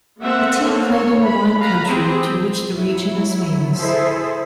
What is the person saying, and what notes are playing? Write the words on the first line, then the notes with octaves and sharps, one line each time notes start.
The team played in the wine country to which the region is famous.
A#3 C4 A4 E5 F#5
A#3 C4 C#4 A4
C#5
B5
B4 F5 A#5 B5
C4 G4 G#4
F#3 E4
E4 G#4 A4 C5 E5